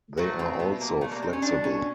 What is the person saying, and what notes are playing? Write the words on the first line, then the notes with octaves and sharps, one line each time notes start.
They are also flexible.
A2 F#3 A3 F#4
C4
B2 G3 B3
A#3
B2 G3 A3
A#3
C4
C#4
B2 G3 D4
C#4